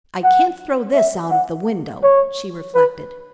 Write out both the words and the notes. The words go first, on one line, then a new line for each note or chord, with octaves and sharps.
"I can't throw this out of the window," she reflected.
F#5
E5
F#5
C#5
B4